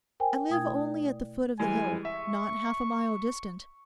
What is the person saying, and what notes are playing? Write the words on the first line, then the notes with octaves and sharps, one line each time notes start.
I live only at the foot of the hill, not half a mile distant.
A#4 C5 G5 G#5
B2 A3 E4 G5 D#6 G#6
D5
E3 G3 G#3 G#5
E5 C#6